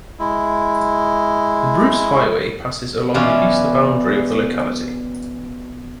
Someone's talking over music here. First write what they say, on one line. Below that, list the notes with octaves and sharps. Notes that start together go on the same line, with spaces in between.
The Bruce Highway passes along the easter boundary of the locality.
G#3 E4
B2 E3 C#4 D4 E4 F4